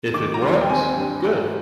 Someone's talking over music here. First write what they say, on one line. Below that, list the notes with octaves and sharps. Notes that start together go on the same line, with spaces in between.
If it works - good.
D#3 D6
A#5
D#2 C6
G5
C4 G#5
G2
G#2